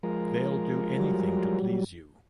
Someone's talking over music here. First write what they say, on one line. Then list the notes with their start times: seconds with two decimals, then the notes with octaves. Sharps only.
They'll do anything to please you.
0.03 F3 G#3 A#4
0.98 F#3 G3